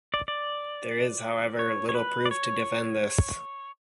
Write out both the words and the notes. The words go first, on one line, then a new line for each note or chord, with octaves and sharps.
There is, however, little proof to defend this.
D5
D5
C#5
C#5
B4
D5
C#5